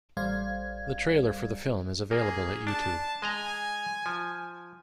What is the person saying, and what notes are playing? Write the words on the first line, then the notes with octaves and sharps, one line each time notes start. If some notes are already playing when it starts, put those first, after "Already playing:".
The trailer for the film is available at YouTube.
A1 G3 C5 D5 F5 G#6
A#3 G#4
D4 A5
G#3 D#5 G#5 A#5
F3